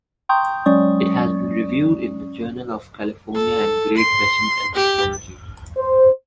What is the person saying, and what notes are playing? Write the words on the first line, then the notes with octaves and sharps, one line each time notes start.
It has been reviewed in the Journal of California and Great Basin Anthropology.
G5 A#5 C6 C#6 D#6 G6
F#3 G#3 C#4 D5 C#6 D#6
A4
C6
G4
C5